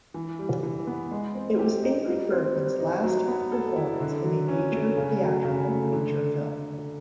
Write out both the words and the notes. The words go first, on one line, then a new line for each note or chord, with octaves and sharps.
It was Ingrid Bergman's last performance in a major theatrical feature film.
E3
G3
E3
B3
G#3
C4
G4
D#4
G3
C4
G3
D#4
F#3
B3
A4
E4
D3
F#3
C#4
A3
C#3
F#3
C#3
A3
D3